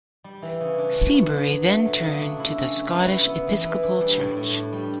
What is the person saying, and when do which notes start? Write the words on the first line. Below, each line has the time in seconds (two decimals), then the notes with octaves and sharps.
Seabury then turned to the Scottish Episcopal Church.
0.24 G3
0.42 E3
0.60 C#3
0.78 D4
0.96 F#4
1.14 B3
1.32 F#3
1.50 F#3
1.68 A3
1.85 F#3
2.04 C#3
2.22 D4
2.40 E4
2.57 C#4
2.75 F#3
2.93 B4
3.11 E4
3.29 B3
3.47 E3
3.65 B4
3.83 D4
4.00 G3
4.19 A2
4.37 A2
4.54 D4
4.73 G3